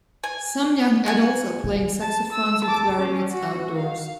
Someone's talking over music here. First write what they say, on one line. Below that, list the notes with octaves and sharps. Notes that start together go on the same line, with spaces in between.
Some young adults are playing saxophones and clarinets outdoors.
G#5
F#5 G#5
A5
E6
A5 D6
C#4
F#4
F5